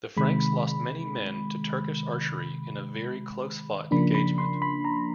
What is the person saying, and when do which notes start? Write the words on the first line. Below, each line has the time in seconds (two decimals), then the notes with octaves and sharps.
The Franks lost many men to Turkish archery in a very close-fought engagement.
0.17 C3 D#3 G#3 B5
3.91 C#3 F3 A#3 D4 B5
4.15 B5
4.38 C6
4.62 B5
4.85 A#5